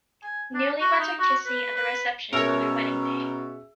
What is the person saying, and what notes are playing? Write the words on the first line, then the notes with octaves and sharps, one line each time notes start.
Newlyweds are kissing at the reception on their wedding day.
G#5
D4
F#4
D#4
F#4
B4
B4
B2 C#4 G#4 A#4 C#5 E5 E6